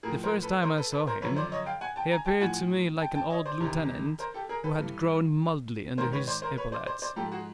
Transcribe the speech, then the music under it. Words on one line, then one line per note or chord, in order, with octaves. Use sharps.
The first time I saw him he appeared to me like an old lieutenant who had grown mouldy under his epaulets.
A2 F3 G#4 A#4
A#4 C5
A4 B4
A#4 C5
A4 B4
A4 B4
A#4 C5
F#2 D3 F3 B4 C#5
C5 D5
C#5 D#5
F5 G5
F#5 G#5
G5 A5
G#5 A#5
G5 A5
A2 F3 F#5 G#5
G5 A5
G5 A5
C#5 D#5
C5 D5
E2 C3 D#3
A#4 C5
G4 A4
G#4 A#4
A4 B4
G2 E3
G#2 D#3 A#4 C5
B4 C#5
C5 D5
A#4 C5
B4 C#5
C5 D5
C5 D5
C5 D5
G#2 F3 G4 A4
F#4 G#4